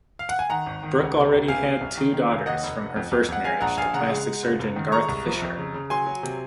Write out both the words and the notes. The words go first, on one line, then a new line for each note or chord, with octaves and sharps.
Brooke already had two daughters from her first marriage to plastic surgeon Garth Fisher.
F5
F#5
G#5
D#3 F#5 A#5
G#1
D#3
C#2
C3
C#2
C3 F5 G#5
C3
C2
D#3
D#3
F1
D#2 D#5 F#5
F1
F1
F2
F2
F2 F#5
G#3 F5 G#5
A#1 F#5 A#5
A#1 F5 G#5
C#3 F#5 A#5
G#3
G#3
F#1
F#1
D#3
G#3 A#5 C#6
C2
F3
F2
C#3
C#3
F#3 G#5 C6
F#3
C3